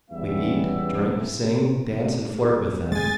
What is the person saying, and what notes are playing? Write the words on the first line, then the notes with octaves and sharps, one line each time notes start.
We eat, drink, sing, dance, and flirt with them.
E2 G3 G#3 B3 C#4 E5
G#3 G#5 A6